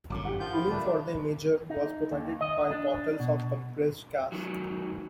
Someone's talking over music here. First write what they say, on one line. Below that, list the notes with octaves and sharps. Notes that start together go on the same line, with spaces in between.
Cooling for the imager was provided by bottles of compressed gas.
G1 F#2 A2 D6
G4 F#5
D#3 F3 F4 G6
B5
A#2 A3 D4
D#4
D#2
D#5
D4
B2
D#3 F#3